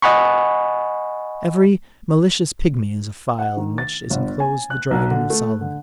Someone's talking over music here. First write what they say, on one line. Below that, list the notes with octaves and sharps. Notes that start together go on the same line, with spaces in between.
Every malicious pigmy is a phial in which is enclosed the dragon of Solomon.
D#5 F#5 G#5 B5 C#6
F#5
D#3
A6
G1
G#5
F#6
B1
D3
A3
D3